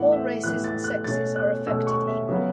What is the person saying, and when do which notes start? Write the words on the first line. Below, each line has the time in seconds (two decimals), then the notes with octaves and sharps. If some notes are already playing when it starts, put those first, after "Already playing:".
All races and sexes are affected equally.
Already playing: A2 E3 B3 E4 F#5
0.12 E5
0.43 A2 E3 B3 E4 F#6
0.64 A6
0.84 F#6
1.04 B2 A3 C#4 A6
1.36 F#6
1.67 B2 A3 C#4 E6
1.87 C#6
2.07 E5
2.29 C#3 F#3 B3